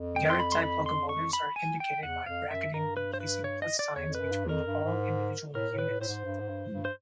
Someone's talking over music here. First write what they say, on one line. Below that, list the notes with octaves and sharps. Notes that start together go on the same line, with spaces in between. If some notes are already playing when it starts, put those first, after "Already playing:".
Garratt-type locomotives are indicated by bracketing or placing plus signs between all individual units.
Already playing: F2
G5
C6
B5
C6
B5
C6
C#6
B5
G#5
G5
E2 F#5
F2 F5
F#2 E5
G2 A#4
B4
C5
B4
C#5
D#5
D5
E2 C#5
F2
B4
F#2
G2
E2
F2 A#4
G2
G#2
A2 A#4
A2
B4
A2
A2 C5
G#2
G2
G#2
G2
G2
C5